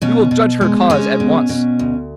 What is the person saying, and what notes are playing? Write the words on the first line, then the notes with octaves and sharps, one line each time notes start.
'We will judge her cause at once.'
B2 C#4
B2
G#3
G#3 C#4
B2
B2
D2